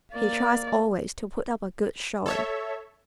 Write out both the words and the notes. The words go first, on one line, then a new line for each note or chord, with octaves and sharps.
He tries always to put up a good showing.
A#3 D5
A4 C#5 E5